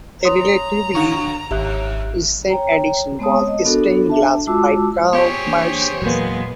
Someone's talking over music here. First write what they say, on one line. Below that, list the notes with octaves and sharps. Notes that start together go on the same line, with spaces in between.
A relatively recent addition was stained glass by Karl Parsons.
C#5 A#5 C6 D#6
D3 F#4 F5 C#6
G#1 D#2 G4 E5 F#6
C#5 G5 A#5
G#3 B3 C4 C#5 A5 D#6
D#5
B3 D4 F#4 A4 A#4
D4 E5 A5
G#3 F4 F#4 A5 D6 E6
B3 G4 G#4 C5 C#5
E3 A#3 D4
E2 A#2 F#3 G#3 A#3 B3